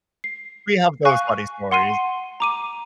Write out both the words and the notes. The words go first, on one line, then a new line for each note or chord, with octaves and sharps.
we have those funny stories.
C7
F5 G#5 C#6 F#6
F#5 C6 C7 D#7
A#5 D6 D#7